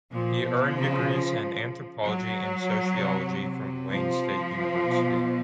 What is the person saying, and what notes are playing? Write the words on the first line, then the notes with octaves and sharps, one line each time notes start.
He earned degrees in anthropology and sociology from Wayne State University.
A#2 F3
B2
C#3
F#3
C3
F3
B2